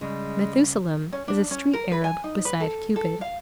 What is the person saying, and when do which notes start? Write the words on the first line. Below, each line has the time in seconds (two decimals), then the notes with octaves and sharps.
Methusalem is a street arab beside Cupid.
0.01 C#3 G3 G#3
1.13 C#4
1.28 D4
1.51 C#4
1.73 A#4
1.92 B4
2.04 G#5
2.24 D#4
2.45 B4
2.60 A4
2.96 A4
3.21 F5